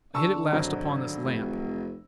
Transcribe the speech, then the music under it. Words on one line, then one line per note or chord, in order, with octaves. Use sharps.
I hit at last upon this lamp.
D3 A5 C#6 E6
G#1 F#3
F1